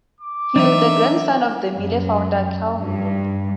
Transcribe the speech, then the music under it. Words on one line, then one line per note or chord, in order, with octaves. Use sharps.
He was the grandson of the Miele founder Carl Miele.
D6
E3 F#3 B3 D4 D#4 E5
F#2
G2